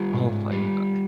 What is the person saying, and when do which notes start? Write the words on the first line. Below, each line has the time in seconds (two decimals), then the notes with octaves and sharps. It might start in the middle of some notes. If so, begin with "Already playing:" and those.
Oh my god.
Already playing: G3 F4
0.13 G#2
0.52 G3